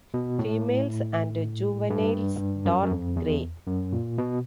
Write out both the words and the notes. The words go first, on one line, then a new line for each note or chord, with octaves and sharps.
Females and juveniles dark grey.
B2
A2
G2
F#2
F#2
F2
E2
F#2
A#2
B2